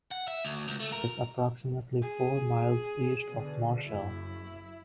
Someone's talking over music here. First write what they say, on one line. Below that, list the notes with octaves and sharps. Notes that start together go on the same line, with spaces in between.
It is approximately four miles east of Marshall.
F#5
E5
D2
C#2
A3
A#4
G#4
B2 D3
F#1 F#2 E4